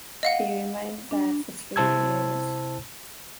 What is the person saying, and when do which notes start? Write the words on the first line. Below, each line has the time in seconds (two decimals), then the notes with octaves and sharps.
He remained there for three years.
0.23 D#5 F5 F#5
1.11 D4
1.76 C3 E4 C5 A5 E6 G#6